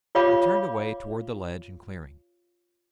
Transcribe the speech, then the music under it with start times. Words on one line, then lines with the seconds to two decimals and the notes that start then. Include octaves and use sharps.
He turned away toward the ledge and clearing.
0.15 F4 G4 C#5 F5 B5 D6